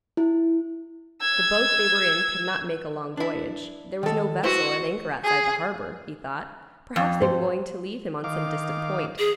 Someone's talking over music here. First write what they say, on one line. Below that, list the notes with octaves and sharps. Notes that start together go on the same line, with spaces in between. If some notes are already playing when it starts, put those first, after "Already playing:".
The boat they were in could not make a long voyage; there was no vessel at anchor outside the harbor; he thought, perhaps, they were going to leave him on some distant point.
E4
E6 G#6
D4 E4
D#3 A4
E4 F#4 B4 C5
G#4
F2
C5
D#3 F5 D6
G#4